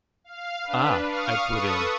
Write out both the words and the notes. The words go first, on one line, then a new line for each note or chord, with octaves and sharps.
"Ah!" I put in.
F5
D4 B4
F5 C#6 D#6 F6
A4 B4 C#6 D#6